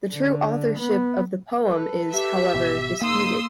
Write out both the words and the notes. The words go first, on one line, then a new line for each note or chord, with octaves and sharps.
The true authorship of the poem is, however, disputed.
D3
B3
A4 B4
G4 E5
G#1 B2
G2 C#3 A#3 D#4 C6 D#6 E6